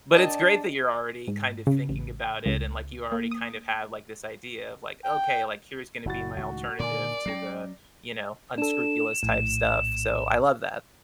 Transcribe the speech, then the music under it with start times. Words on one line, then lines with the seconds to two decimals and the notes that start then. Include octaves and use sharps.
But it's great that you're already kind of thinking about it and, like, you already kind of have, like, this idea of, like, "Okay, like, here's gonna be my alternative to the, you know, unscrupulous type stuff." So, I love that.
0.15 D4 A#4 D5 D#5 G5 A5
1.28 G#2
1.67 C#3
1.89 A1
2.46 C#2
3.12 A#3
3.31 D#6
5.04 G5
6.05 F#1 A#2 E4 F#4 A6
6.37 C#2 A2 D#3 F#4
6.79 A#2 D3 D#3 A#4 D5 G#5
7.26 F#3 C4 C#4 G5 A#6 C7
8.58 D4 A4 E7
9.23 A#1 A2